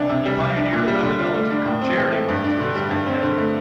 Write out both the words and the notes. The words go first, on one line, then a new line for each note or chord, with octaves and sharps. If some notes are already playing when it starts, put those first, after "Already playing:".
He pioneered a methodology called charityware through his Vim editor.
Already playing: C2 E3 D4
C3
G3
C2
D4
A#2
G3
D3
F4
A3
D4
A2
C4
E3
A3
G2
D4
D3
G3
G2
C4
D3
A3